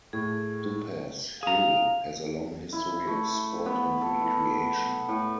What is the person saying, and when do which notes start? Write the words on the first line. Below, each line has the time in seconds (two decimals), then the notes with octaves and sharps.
Duppas Hill has a long history of sport and recreation.
0.13 A2 G#4
1.43 G#4 F5 A#5
2.72 E4
3.07 A3
3.31 E4
3.66 B3
4.01 A4
4.21 E4
5.08 A2